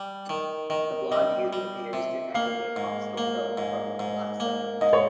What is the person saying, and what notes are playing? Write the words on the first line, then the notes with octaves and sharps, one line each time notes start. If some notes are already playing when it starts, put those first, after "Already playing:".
The blonde youth appears to echo the apostle Philip from "The Last Supper".
Already playing: G3
D#3
D#3 D#5
G3 D#5
G3
C3
A#3 F5
G#2
A#3
G#2
G#2
A#3
G#2 D#5
C#5